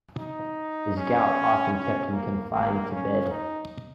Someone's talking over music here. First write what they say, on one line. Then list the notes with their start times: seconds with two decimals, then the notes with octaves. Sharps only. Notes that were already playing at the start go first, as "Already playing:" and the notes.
His gout often kept him confined to bed.
0.18 D#4
0.97 C#4
1.75 C#4
2.12 A#3
2.52 A#3
2.91 C#4
3.30 D#4